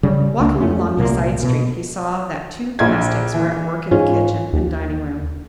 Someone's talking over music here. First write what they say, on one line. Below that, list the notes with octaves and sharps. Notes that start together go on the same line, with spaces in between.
Walking along the side street he saw that two domestics were at work in the kitchen and dining room.
C#3 G3
C#2 A3 A#3 D4
F2 A3 C#4
C2 A#2 E3 A#3
B2
A#1 G#6
E3
G#2 C#4 F4
D#2